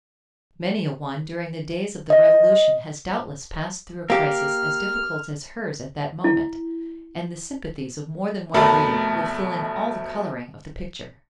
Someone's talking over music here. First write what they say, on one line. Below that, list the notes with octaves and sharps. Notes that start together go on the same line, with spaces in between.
Many a one during the days of the Revolution has doubtless passed through a crisis as difficult as hers at that moment, and the sympathies of more than one reader will fill in all the coloring of the picture.
D#5
A#3 G4 F6
E4
F1 B2 A3 A#4 A5 B5